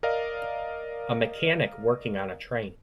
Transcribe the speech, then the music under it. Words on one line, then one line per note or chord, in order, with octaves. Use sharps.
A mechanic working on a train.
A#4 D5 D#5 F5